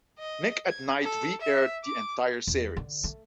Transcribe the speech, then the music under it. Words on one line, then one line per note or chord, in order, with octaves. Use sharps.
Nick at Nite reaired the entire series.
D#5
G#6
A4
E5
D6
E2
D3
A3